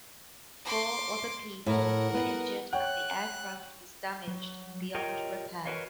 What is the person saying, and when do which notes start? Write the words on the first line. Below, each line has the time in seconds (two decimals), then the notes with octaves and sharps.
Four other people were injured and the aircraft was damaged beyond repair.
0.65 C6 D6
1.66 A2 A#4 F#5
2.14 B3
2.73 C#5 F#5 G5 F#6
4.27 F#3
4.94 F4 G4 A#4 C#5 D#5 G5
5.65 F#4 A#4 B4 C#5 D#5 F5